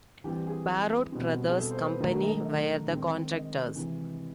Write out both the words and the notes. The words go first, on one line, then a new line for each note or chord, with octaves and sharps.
Parrott Brothers Company were the contractors.
E3 G3 C4 G4
G#4
B2 G3 C4
G#4
A4
C5
B4
D#3 F#3 A3 D4 A#4
D#5
D#5
D#3 G#3 C4
D#5
C3 E3 G#3